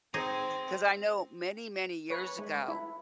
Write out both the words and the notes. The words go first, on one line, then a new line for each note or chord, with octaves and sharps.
'Cause I know many, many years ago,
C4 D#4 G#4
B4 C#5
G#3
E4